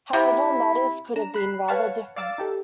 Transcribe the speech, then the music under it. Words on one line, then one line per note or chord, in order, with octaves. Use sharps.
However, matters could have been rather different.
C3 E4
D4 A#5 E7
B5 F#6 C7
B4 C#5 F5 F#5 A5 C#6
D5 F5 D6 E6 A6
D#4 G4 A4